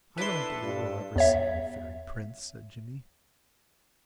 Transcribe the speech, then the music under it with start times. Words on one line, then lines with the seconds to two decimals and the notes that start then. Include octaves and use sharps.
"I don't believe we'll ever see any fairy prince," said Jimmie.
0.18 A2 D4 E4 A4 B4 C6
0.63 G2
1.16 E2 C#5 E5